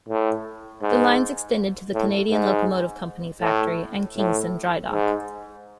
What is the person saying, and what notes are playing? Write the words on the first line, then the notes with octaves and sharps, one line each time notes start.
The lines extended to the Canadian Locomotive Company factory and Kingston Dry Dock.
A2
G#2
A2
G#2
A2
A2
G#2